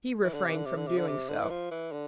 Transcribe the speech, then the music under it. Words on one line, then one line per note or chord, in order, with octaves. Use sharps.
He refrained from doing so.
E3
D3
C3
E3
D3
C3
D3
C3
D3
C3
D3
E3
F3
E3
D3